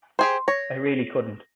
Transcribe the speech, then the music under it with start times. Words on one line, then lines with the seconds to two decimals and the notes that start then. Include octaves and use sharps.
I really couldn't.
0.19 G4 G#4 C5 C6
0.48 C#5 A#6